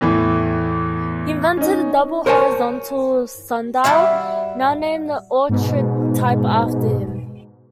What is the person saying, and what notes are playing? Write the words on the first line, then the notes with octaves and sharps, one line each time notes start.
He invented the double horizontal sundial, now named Oughtred-type after him.
E2 A2 E3
C#4 D#4
A#4 C5 C#5 F5 G#5 A5
G3 E4 F#4 E5 F5
G#2 B2